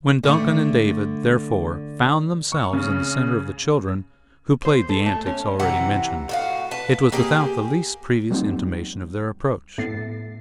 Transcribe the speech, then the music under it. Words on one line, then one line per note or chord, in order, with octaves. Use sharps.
When Duncan and David, therefore, found themselves in the center of the children, who played the antics already mentioned, it was without the least previous intimation of their approach.
D3 A3
C#6
C#3
C5
A4
A3
C#4
C3 E3 F#5 A#5
A2 F#4 F5
B4 A5
A#3 G4 G#4
F#3 G3 A#3 C4 D#4
A2 B3 A6 C7